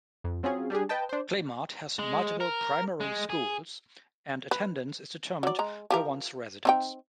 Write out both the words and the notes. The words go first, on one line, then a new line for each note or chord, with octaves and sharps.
Clamart has multiple primary schools, and attendance is determined by one's residence.
F2
F#3 C4 C#4 F4 G#4
G3 D4 G4 G#4
B4 D#5 G5 A5
D4 C5
G#3
A#4
G#3
G#4
B4
F#3 D5
G#3 A#5
F3 G4 A#4
C4 D#4 G5